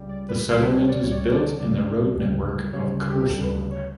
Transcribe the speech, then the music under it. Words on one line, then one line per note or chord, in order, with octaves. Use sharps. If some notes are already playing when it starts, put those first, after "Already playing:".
The settlement is built in the road network of Kherson.
Already playing: C#2 C#3 G3
D5
B4
C#2 C#3 G3
B4
C#5
D5
C#2 C#3 G3 C#5
D5
C#5
D5
C#2 C#3 G3 D5
D2 C#3 G3
D2 C#3 G3 C#5
G4
D2 C#3 G3 A4
B4
C#5